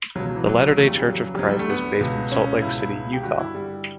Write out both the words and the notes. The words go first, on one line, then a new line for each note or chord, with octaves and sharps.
The Latter Day Church of Christ is based in Salt Lake City, Utah.
C#2 B2 F#3
F#3
E3
F#3
E2 C#3 E3 A3
G3
G3
F#3
G3
D2 D3 F#3
G3
A3
B3
C#2 B2
C#4
C#2 B2 E4
G4
G2 D3 F#4
E4
G3